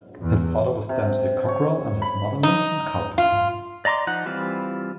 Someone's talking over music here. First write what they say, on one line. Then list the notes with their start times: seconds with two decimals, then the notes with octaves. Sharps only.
His father was Dempsey Cockrell and his mother, Millicent Carpenter.
0.22 E2
0.89 C3
1.48 C#5
2.02 B5
2.43 D#4
3.18 F4
3.85 D5 D#5 A#5 C6 D6
4.07 F3 D#4 F#5
4.26 E3 G3 C4 F4